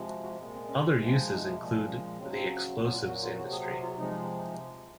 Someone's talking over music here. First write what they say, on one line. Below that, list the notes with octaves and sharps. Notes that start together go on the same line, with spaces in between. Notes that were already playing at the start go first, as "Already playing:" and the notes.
Other uses include the explosives industry.
Already playing: C3 F3 G#3
F#4
F#4
A#2 G#3
C4
C#4
C3 F3 G#3
D#4
A#2 F3 G#3
C#4
C#3 F#3 C4
C4
A#2 F#3 C4
F4
F#4
F4
C3 F#3 F#4
G#4
G#4
F4
C3 F3 G#3 D#4